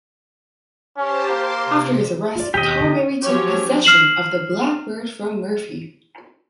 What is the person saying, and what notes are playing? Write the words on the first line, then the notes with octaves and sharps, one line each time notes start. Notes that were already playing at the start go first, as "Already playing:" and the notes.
After his arrest, Tarberry took possession of the "Blackbird" from Murphy.
C#4 G4 C5 A5
A#3 C6 D6
C3
F4 D5
D#2 B2 G4 D#5
D3
F3 F#3 C#4 G4 C#5
F6 C7 E7 F#7